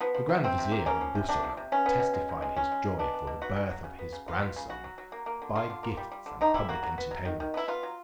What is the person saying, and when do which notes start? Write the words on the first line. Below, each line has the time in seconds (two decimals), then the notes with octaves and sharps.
The grand vizier, of Bussorah testified his joy for the birth of his grandson by gifts and public entertainments.
0.01 F3 B3
0.15 F3
0.29 C3
0.44 F3 C4
0.58 C3
0.72 A#3
0.86 A#3 C#4
1.01 F3
1.15 C3
1.29 C3 D4
1.43 F3
1.57 C3
1.72 B3 C#4
1.86 B3
2.00 B2
2.14 G#3
2.29 B2
2.42 G#3
2.56 G#3 C#4
2.72 G#3
2.86 G#3
2.99 B3 D4
3.14 B3
3.27 B2
3.41 B3 F#4
3.56 C#3
3.71 F#3
3.84 C#3
3.99 B3
4.13 C#3
4.28 B3 F4
4.42 B3
4.56 C#3
4.69 C#3 F#4
4.84 F#3
4.98 F#3
5.12 A#3
5.26 A#3
5.42 D3
5.55 D3 F4
5.70 D3
5.83 A#3
5.97 G3
6.12 G3
6.26 D3
6.41 D3 D#4
6.54 G3 E4
6.69 A#3 F#4
6.83 F#3
6.98 B3
7.11 F#3
7.25 D#3
7.40 D#3
7.54 B3 E4
7.68 B3 F4
7.83 F#3